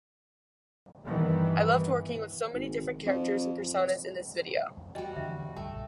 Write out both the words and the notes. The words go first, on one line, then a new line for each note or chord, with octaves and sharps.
I loved working with so many different characters and personas in this video.
G2 D#3 E3 B3
G#1
F2
F2
G3 F#4 D#5 G5
F2 D3 E3 E5
F1 C2 G2 A3 G5
A#1